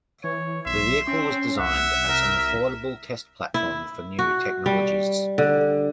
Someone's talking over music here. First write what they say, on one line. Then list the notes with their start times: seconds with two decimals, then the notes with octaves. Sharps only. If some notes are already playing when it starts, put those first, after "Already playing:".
The vehicle was designed as an affordable test platform for new technologies.
0.24 E3 C#5
0.66 B1 E5 C6
1.08 C4 C#4
1.58 C2 E5 F#5
2.09 A#4
3.54 E4
4.19 F#4
4.66 G3
5.38 D3